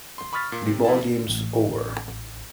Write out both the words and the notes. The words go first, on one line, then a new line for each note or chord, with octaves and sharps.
The Ball Game's over!
C6
B5 C#6 D#6 F6 A6 B6
A#2
C3
F2 E4 A5
A1